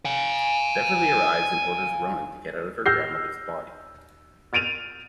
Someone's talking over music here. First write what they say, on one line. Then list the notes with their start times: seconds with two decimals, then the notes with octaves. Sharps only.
Beverly arrives and orders Ronin to get out of her grandmother's body.
0.05 F5 G#5
2.86 E6 F6 G6 A#6 C7
4.53 F6 A6 D7 D#7 F7